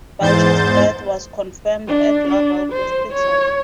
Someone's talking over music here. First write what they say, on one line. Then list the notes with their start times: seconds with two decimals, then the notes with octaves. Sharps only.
Boucher's death was confirmed at Laval hospital.
0.20 E2 G#2 C5 G6 A6
1.88 D4
2.28 D4
2.73 C5
3.13 C#5